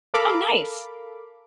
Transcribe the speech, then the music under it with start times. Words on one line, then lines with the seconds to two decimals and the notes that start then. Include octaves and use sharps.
Oh, nice.
0.14 A4 A#4 F5 B5 D6